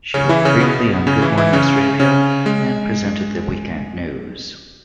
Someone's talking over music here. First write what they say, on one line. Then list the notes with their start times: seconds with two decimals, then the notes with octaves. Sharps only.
She worked briefly on "Good Morning Australia" and presented the weekend news.
0.14 C#3 C#4
0.29 E3 E4
0.45 C#3 C#4
0.60 B2 B3
1.07 C#3 C#4
1.22 E3 E4
1.38 E3 E4
1.53 C#3 C#4
2.00 C#3 C#4
2.46 G#3